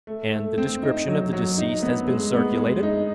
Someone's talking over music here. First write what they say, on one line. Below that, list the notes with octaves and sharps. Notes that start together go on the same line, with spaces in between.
"And the description of the deceased has been circulated?"
A3
A3
C4
D#4
F#3
F#3
D#4
B3
G#3
B3
G#3
D#4